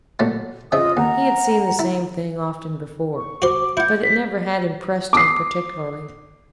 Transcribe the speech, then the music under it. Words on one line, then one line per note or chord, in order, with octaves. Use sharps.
He had seen the same thing often before, but it never had impressed him particularly.
A#2 F#3 A3
C#3 F3 F4 D#5 E5 D#6
D#2 F#5 A#5
E4
C#6
F#4 C5 D6
E4 F#5 G6
B6
D6 D#6 C7